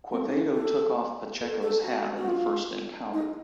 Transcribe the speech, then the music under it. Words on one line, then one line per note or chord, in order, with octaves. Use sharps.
Quevedo took off Pacheco's hat in the first encounter.
C4
D#4
C#4
A4
A4
A4
F#4
F#4
F4
D#4